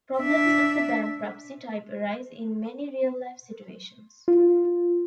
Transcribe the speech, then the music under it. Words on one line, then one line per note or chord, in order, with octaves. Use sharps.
Problems of the bankruptcy type arise in many real life situations.
D4 E5
F4